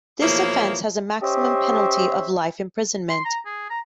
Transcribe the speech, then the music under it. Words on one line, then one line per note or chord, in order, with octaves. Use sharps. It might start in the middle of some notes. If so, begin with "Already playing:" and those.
This offence has a maximum penalty of life imprisonment.
E2 B2 F3 A#3 E4 C#5
C#4 G4 C5 C#5 D#5 E5
C6
A#5
G#4
A#5